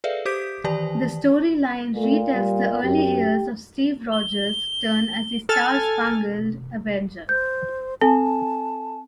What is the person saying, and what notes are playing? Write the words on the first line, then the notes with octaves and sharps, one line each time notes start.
The storyline re-tells the early years of Steve Rogers' turn as the Star-Spangled Avenger.
G#4 A4 B4 D5 E5 F5
G4 C5 D6 G6 B6 D7
D#3 E3 G4 D5 A5
A#2 A3
G3
F#2 G4
G7
A4 G#5 F6 A6
C5 G6
C4 A4 G#5 A5